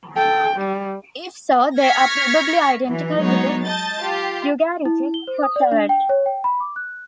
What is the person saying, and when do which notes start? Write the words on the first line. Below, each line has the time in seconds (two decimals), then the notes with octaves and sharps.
If so, they are probably identical to the Ugaritic Kotharat.
0.16 A4 G5
0.56 G3
1.80 C#6 F6 G#6 A#6 B6 C#7
2.87 E3 F#3
3.19 F#3 G#3 B3 D#4 C#5
3.66 D#5 A5 G6 A6
4.00 F4 G4
4.85 E4
5.14 G7
5.27 C5
5.43 D#6
5.56 D5
5.72 D4
5.89 G5
6.09 C#5
6.26 G5
6.44 B5
6.60 D6
6.76 F#6